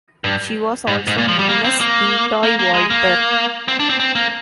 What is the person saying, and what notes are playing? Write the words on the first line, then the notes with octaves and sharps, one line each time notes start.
She was also known as Ying-tai Walther.
G2
G#2
G#2
A#2
F3
G3
A#3
C4
A#3
A#3
A#3
G#3
A#3
C4
D4
C4
C4
A#3